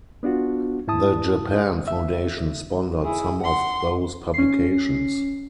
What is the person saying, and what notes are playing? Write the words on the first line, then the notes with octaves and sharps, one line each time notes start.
The Japan Foundation sponsored some of those publications.
B3 D4 F4 F#4
G#2 E4 A5 D#6
E5
E4 G#4
F#5 C6
C#4 C7